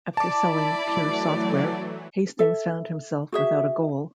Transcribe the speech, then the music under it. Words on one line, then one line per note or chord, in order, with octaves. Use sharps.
After selling Pure Software, Hastings found himself without a goal.
E4 D5 A5 B5 D6
E3 F#3 A3
A4 E5
F#4 G#4 E5